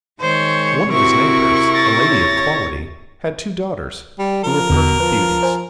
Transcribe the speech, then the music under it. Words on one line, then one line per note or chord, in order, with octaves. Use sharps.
One of his neighbours, a lady of quality, had two daughters who were perfect beauties.
D#3 G#3 C5 C#5
C3 C4 E4 F#4 A#4 C#6
A6 A#6
C#5
G3
F3 A#4
E2 B2 D3
F3 B4
C5 G#5